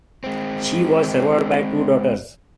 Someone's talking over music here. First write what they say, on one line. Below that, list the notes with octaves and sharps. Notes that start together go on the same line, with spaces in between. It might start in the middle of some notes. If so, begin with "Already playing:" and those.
She was survived by two daughters.
G#3 C4